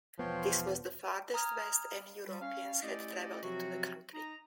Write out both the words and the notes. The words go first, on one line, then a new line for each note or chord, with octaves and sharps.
This was the furthest west any Europeans had travelled into the country.
E1 F3 B3 C#5 G5 C6
A#5 D#6 F6 G#6
G3
C#4 F5
A3 C#4 E4 G4 D5 D#5
C3 F3 F#3 C4 F#4
D#4 A#5